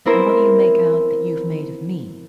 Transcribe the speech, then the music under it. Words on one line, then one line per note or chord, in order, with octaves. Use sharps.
"And what do you make out that you've made of me?"
B3 C4 E4 A#4 C5